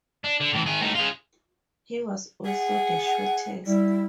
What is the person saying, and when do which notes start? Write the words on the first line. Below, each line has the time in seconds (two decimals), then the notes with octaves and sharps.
He was also the shortest.
0.24 D4
0.41 D3
0.54 A2 E3
0.66 D#3 G#4
0.81 A2 D#4
0.94 G#3 F4
2.45 G#4 F#5
3.66 G3 E4